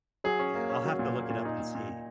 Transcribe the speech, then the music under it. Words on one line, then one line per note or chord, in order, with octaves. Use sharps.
Yeah, I'll have to look it up and see.
F#3 G#4
C#4
A#3
C#4
F#3
A#2
A#3
A#2
D#4
A#2
A#2
A#2